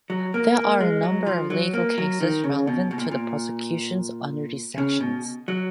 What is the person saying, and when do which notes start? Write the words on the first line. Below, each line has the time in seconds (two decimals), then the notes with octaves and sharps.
There are a number of legal cases relevant to prosecutions under these sections.
0.10 F#3
0.34 A#3
0.57 A#3
0.80 G#3
1.03 F#3
1.27 F3
1.50 F#3
1.74 A#3
1.98 F#3
2.20 D#3
2.44 C#3
2.67 B2
2.91 B2
2.98 A#2
3.11 A#2
4.78 C#3
5.00 B2
5.48 F#3